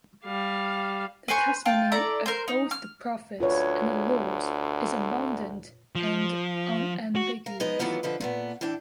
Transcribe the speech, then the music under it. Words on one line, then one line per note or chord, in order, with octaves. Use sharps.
The testimony of both the prophets and the laws is abundant and unambiguous.
G3 F5
B4 C5 G#5 C#6
F4 G5 A5
E4 A4 D5 A#5
A#4 C5
D#4
F6
D2 F4 B4 C#5
F3
F#4
A#4 F5
G#3 B3 D#4 B4 D#5
D#3 E3 F#3 A3 B3 F4
D3 F3 B4 D#5
A#2 A3 B3
A2 E3 D4 G5